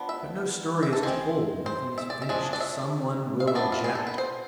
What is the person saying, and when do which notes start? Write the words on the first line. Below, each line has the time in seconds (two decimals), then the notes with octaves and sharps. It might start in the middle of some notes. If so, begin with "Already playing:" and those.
But no story is told, nothing is finished, some one will object.
Already playing: F3 B3 D4
0.09 E5
0.83 E5
0.93 A4
1.03 G#3 C4 C5
1.66 C5
1.98 E5
2.10 D5
2.22 E5
2.29 F3 G#3 D4
2.53 D5
2.61 E5
3.40 F5
3.47 E5
3.55 F3 B3 D4 D5
3.72 F4
3.84 G#4
3.95 A4
4.07 B4
4.18 C5